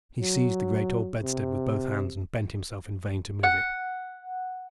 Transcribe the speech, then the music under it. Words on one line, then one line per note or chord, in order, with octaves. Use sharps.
He seized the great old bedstead with both hands, and bent himself in vain to move it.
F#3
C3
F#5